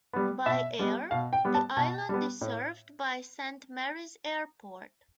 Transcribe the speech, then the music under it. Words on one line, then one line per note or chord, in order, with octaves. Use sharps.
By air, the island is served by Saint Mary's Airport.
G3 B3
B2 E5
G3 B3
B2 F5
G5
G3 B3
A5
B2 A5
G3 B3
A2